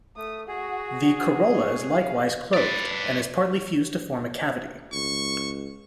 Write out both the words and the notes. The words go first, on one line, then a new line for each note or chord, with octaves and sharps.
The corolla is likewise clothed and is partly fused to form a cavity.
A3 D#6
F#4 G#4
C#5
F5
B4 D5
C#2 C#6